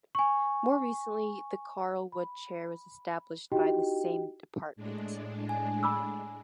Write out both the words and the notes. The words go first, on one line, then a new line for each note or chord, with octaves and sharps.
More recently the Carl Wood Chair was established by the same department.
G#5 C#6
B5
D#4 E4 F#4 G4 D#5 G5
A2 G#3 D4
G#5
B5 D6 E6